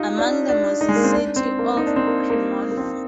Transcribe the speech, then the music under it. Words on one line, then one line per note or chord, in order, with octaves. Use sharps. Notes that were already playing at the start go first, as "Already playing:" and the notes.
Among them was the city of Cremona.
Already playing: D#4 F4 G4
D4
D4
D#4
G#3
A#3
C4
D4
C4
A#3
D#4
D4
C4
A#3
A#3
A#3
C4